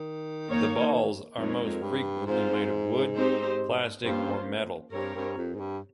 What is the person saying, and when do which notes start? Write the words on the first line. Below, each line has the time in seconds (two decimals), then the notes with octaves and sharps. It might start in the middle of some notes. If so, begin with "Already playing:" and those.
The balls are most frequently made of wood, plastic, or metal.
Already playing: D#3
0.49 A#3 D#4 A#4 C#5
1.38 F2 G#3 C4 D#4 A#4 C#5
1.60 F2
1.82 G2
2.26 G#2 C4 F4 C5
3.16 C4 D#4 G4 C5
4.04 G2 A#3 C#4 F4 C5
4.92 G2 C4 G4 A#4 C#5
5.15 G2
5.37 F2
5.55 G#2
5.60 G2